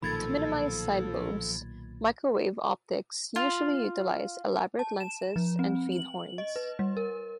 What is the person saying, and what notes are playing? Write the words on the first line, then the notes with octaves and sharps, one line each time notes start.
To minimize side lobes, microwave optics usually utilize elaborate lenses and feed horns.
B1 A#2 D#3 F3 A4 B5 G#6 A6
F4
A5
E7
F3
C4
F#7
D#5
B4
G3
A#4